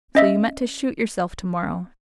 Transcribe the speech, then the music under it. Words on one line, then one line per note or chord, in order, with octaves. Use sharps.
So you meant to shoot yourself to-morrow!
C#4 D#5 E5